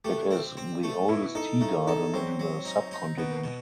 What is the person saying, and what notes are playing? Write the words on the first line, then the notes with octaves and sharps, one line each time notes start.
It is the oldest tea garden in the subcontinent.
A3 G4
C4
C4
A3
B2 E4
D#4 A4
A3 D#4
D#4 A4
F#3 C4
F#3
D#4
D#4
B2 B3
B2